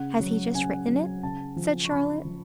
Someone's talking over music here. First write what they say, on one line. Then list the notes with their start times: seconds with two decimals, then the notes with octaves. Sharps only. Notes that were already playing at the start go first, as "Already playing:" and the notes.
'Has he just written it?' said Charlotte.
Already playing: C#3 F#5
0.20 F#3
0.55 C#3 G#5
0.88 F#3
1.23 C#3 A5
1.56 F3
1.85 C#6
1.91 C#3 B5
2.25 F3